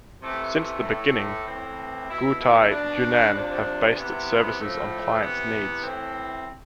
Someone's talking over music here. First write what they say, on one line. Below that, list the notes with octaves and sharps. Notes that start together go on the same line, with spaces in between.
Since the beginning, Guotai Junan have based its services on clients' needs.
C3 E3 A3
A3
A2 E3
A2 E3 C4
B2 E4
E4
B2 D4
C3 F3 D4
C3 E3 B3
A2 F3 A3
C3 E3 B3
A2 E3 C4